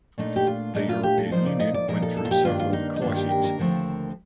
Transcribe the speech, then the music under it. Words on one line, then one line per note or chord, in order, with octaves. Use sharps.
The European Union went through several crises.
A#2 A3 D4 D#4
G4
F4
A#2 A3 D4 D#4
F4
G4
A4
A#2 F3 A#3 D#4 C5
D5
D#5
D5
A#2 F3 A#3 D#4 A#4
A4
A4
F4
G4
G2 D#3 A#3 D4 F4
F4
D#4
D#4
G2 D#3 A#3 D4 F4
G4
A#4
A#4
D#2 D3 F3 A3 C4